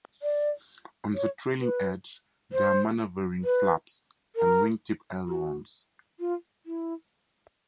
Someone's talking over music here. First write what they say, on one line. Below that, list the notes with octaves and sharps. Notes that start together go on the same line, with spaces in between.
On the trailing edge, there are maneuvering flaps and wingtip ailerons.
D5
C#5
B4
C5
B4
A#4
F#4
F4
E4